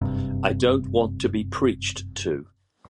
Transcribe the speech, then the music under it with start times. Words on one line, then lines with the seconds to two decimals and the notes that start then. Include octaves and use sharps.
I don't want to be preached to.
0.01 F#1 G2 C3